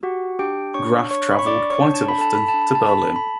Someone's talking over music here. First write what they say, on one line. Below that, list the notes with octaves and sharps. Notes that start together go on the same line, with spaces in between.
Graff travelled quite often to Berlin.
F#4 G4 F#5
D4 G4 G5
D4 C#5 C#6
D4 C#5 C#6
B5
C#6
D4 D5 D6
C#5 C#6
D4
A5
B5
A4 A5
B5
A5
D4
B5
A5
A4 B5
A5
B5